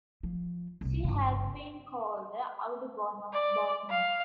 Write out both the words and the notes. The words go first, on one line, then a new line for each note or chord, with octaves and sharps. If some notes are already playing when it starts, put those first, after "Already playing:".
She has been called the Audubon of Botany.
F3
C2 C3
G1 C#3
D5
F5